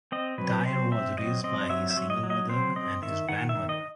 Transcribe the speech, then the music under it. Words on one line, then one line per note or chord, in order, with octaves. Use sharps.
Dior was raised by his single mother and his grandmother.
C4 D#5
F#3 B4
C4 C5
C4 E5
F#3 D#5
C4 D#5
F#3 E5
E5
F#3
D#5
F#3
D#5
C4 C5
C4 D#5
D#3 E5
D#3 F#5
E5
D#3
D#5